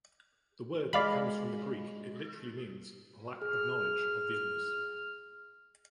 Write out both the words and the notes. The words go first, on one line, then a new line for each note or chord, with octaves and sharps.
The word that comes from the Greek, it means literally "lack of knowledge of the illness."
G#3 D5 F5 B5
G#4 F6